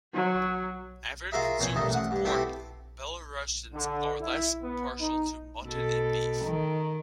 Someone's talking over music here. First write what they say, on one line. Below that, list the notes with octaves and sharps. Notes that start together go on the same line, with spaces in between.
Avid consumers of pork, Belarusians are less partial to mutton and beef.
F#3
F4 F#4 G#4 A#4 D#5 E5
F2 B3 C5 C#5 G#5
G2 D#3 A3 D#5
A1 F#5
G2
A3 B3 C4 E4 F#4 G4
D3
E4
B3
D#4
B2 A4
D#3